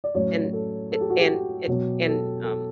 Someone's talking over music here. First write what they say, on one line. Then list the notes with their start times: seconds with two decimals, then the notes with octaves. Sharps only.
and a and a and, um
0.04 D5
0.15 A2 F#3 C#4 C#5
0.53 A4
0.92 A4
1.01 G4
1.10 F#4
1.20 G4
1.67 B2 F#3 B3
2.06 A4
2.44 A4